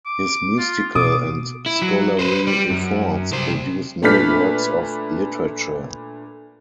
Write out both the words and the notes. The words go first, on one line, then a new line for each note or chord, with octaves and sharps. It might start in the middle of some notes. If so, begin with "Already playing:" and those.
His mystical and scholarly efforts produced many works of literature.
D6
F4
B2 A#3 D6 D#6
E4
F#3
B4 C5
G3
F#2
C2 C5
A#2 A3 D4 B4 F6 B6